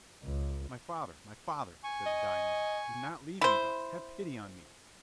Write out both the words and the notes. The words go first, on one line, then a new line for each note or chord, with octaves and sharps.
"My father, my father," said the dying man, "do not leave me thus: have pity on me!"
C#2
G#5 C#6
D#5
E4 C5